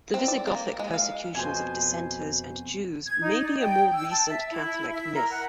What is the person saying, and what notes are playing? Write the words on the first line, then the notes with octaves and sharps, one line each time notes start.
The Visigothic persecutions of dissenters and Jews may be a more recent Catholic myth.
C4
D5
A#3
G#3
F5
F2 B2 C5 G#5
G#6
D#4
D5
G5
E6
A5
E5
E4
E5
A#4
F#5